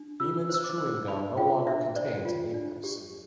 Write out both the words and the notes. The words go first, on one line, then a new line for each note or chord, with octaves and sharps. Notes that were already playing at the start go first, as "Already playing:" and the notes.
Beemans Chewing Gum no longer contains any pepsin.
Already playing: D4
F4 E6
C5 E6
D6
C5
D4 B5
F4 G5
D4 E5
C5 D5
F4
D4
G4